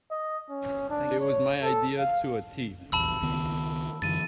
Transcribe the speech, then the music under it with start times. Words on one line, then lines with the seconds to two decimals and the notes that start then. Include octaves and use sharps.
It was my idea to a tee.
0.11 D#5
0.50 C#4
0.90 D4
1.20 C#5
1.63 A4
1.98 F5
2.92 A#1 E2 A5 B5 E6
3.22 C#2 D#3 B3
4.02 F#2 D3 E3 A6 D#7